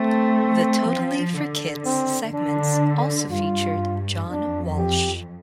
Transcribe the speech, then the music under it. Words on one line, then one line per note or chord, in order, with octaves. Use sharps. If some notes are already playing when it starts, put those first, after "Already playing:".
The "Totally For Kids" segments also featured John Walsh.
Already playing: A3 C4
F3
D3
C4
D3 D4
G2 F4
F2 D4
G4